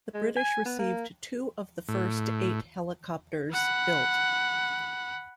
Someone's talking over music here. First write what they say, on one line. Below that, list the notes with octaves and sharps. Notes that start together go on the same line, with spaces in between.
The British received two of the first eight helicopters built.
G#3
G#5
B3
A#3
A2
F#5 B5